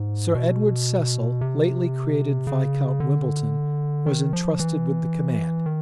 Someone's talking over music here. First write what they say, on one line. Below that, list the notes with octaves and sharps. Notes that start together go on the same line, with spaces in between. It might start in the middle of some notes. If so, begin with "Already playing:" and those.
Sir Edward Cecil, lately created Viscount Wimbleton, was intrusted with the command.
Already playing: G#2
B2
C3
C#3
D3
D#3
F3
E3
D#3